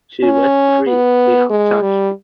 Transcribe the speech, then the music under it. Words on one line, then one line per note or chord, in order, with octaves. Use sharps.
She was freed without damage.
C#4
B3
G#3
G3